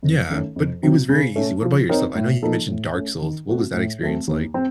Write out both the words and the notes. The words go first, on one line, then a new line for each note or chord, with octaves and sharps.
Yeah, but it was very easy. What about yourself? I know you mentioned Dark Souls. What was that experience like?
F2
D#3 A3 C#4 A4
F2
C3 F#3 C4
C#3
A3 C#4
F3
C4 D#4 A#4 C#5
A2
F3 A#3 D#4 A4
A2
A3 C#4
D#3
A3 C4 F#4
A2
F#3 A3 C4
D#2
C4